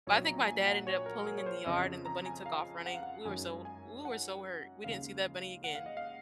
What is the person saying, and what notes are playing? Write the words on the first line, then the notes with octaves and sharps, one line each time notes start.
I think my dad ended up pulling in the yard and the bunny took off running, we were so we were so hurt, we didn't see that bunny again.
A#1 A#2 F#3 C#5
A#5
G#5
F#5
C#5
A#4
A#4
G#4
C#5
C5
F2 C#3 F3 D#5
A#5
G#5
F5
F#5
F5
F#5
F#2 D#3 G#3 G#5
G#5
F#5
D#2 C#3 G#3 F5
F#5
F5
D#5
F5